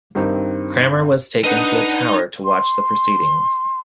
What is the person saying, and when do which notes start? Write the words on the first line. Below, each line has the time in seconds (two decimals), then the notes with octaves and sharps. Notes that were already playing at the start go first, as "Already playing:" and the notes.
Cranmer was taken to a tower to watch the proceedings.
0.15 G2 D#3 C4 D#4
1.44 D4 D#4 B4 D#5 F#5
2.45 C6